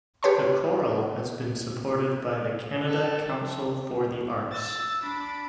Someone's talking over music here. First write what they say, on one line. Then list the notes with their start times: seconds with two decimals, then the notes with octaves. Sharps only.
The Chorale has been supported by the Canada Council for the Arts.
0.23 G4 B4 C#5 A5 C6
2.86 A4
4.52 E6 A6
5.02 D4 B5